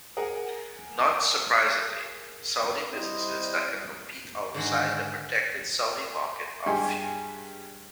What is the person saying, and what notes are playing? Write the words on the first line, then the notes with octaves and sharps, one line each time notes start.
Not surprisingly, Saudi businesses that can compete outside the protected Saudi market are few.
G#4 A#4 F#5 G#5
G3 C4 E4 C5 D#5
G#2 D3 D#3 F#4 G#4 F#5
G2 G4 G#4 G#5